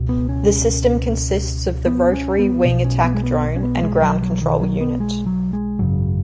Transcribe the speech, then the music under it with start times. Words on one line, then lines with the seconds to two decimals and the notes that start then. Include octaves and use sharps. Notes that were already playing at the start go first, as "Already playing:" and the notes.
The system consists of the rotary wing attack drone and ground control unit.
Already playing: C#2 B2
0.09 B3
0.29 C#4
1.86 B3
2.12 C#4
2.39 B3
2.65 B1 B2
2.84 C#4
3.04 B3
3.14 G#3
3.24 B3
3.56 C#4
3.63 B3
3.83 G#3
3.96 G#3
4.02 F#3
4.22 F#3
4.42 D#3
4.61 F#3
4.81 B3
5.00 G#3
5.26 F#3
5.53 G#3
5.79 G#1 F#2 C#3 F#3